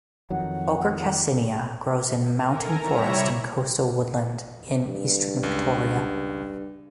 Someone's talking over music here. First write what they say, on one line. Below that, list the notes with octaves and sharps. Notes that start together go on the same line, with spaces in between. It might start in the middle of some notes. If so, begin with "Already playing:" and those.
Ochre cassinia grows in mountain forest and coastal woodland in eastern Victoria.
F2 D#3 F#3 F#5
A4 A#4 G#5 A#5
C3 G3 E4 C#5 E5 A#5
G2
C#2